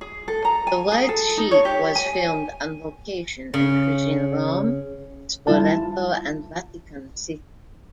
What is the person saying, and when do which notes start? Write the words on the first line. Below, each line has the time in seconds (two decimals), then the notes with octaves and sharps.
"The White Sheik" was filmed on location in Fregene, Rome, Spoleto and Vatican City.
0.01 G#4
0.28 A4
0.45 A#5
0.67 G#5
0.92 G#4
1.09 A4
1.37 D#4
1.51 C#5
1.65 G4
1.96 G#5
3.54 C#3
5.47 G3 E4 F4 A5